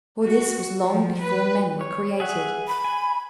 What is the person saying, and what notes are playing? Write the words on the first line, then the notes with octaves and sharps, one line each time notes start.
For this was long before men were created.
F#4
F3
B4
C#5
G#4 E5 F#5
B5
G#5